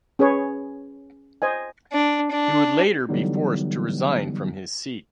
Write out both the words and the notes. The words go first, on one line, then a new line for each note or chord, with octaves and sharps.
He would later be forced to resign from his seat.
C#4 G#4 B4 C#5
C5 D#5 G#5
D4
D4
D3 E3 F#3 G3 B3 D#4